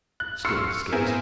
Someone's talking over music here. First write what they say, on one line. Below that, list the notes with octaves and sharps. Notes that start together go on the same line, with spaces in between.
Scarce, scarce!'
F#6
C6 C#6 E6 F6 C7 C#7
B3 C4 E4 G#4 A#4 C5